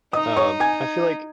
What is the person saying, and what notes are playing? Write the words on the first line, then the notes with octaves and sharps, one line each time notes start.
Um, I feel like
D#4 D#5 D#6
C#5 C#6
G#5 G#6